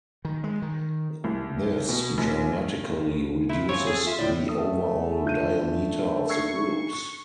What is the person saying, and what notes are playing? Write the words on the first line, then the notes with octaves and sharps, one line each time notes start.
This dramatically reduces the overall diameter of the groups.
D#3
G#3
D#3
C2
B2
A#1
G2
A#2 E4
C4 F4 C#5 G#5
G#4 A4
F4 E5
A2 D5 G5
A3 D#6
D3 F4 G6 D#7
C#6 E6 G#6 C7